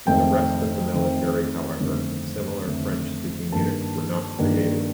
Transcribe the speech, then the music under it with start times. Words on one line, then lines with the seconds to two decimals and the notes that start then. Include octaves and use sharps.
In the rest of the military, however, similar French-speaking units were not created.
0.07 F2 D#3 A3 C4 G5
0.94 F2 D#3 A3 C4
1.80 G1 F2 D#3 A3 C4
2.66 G1 F2 D#3 A3 C4
3.52 G2 D#3 A#3 D4 A5
4.39 G2 D#3 A#3 D4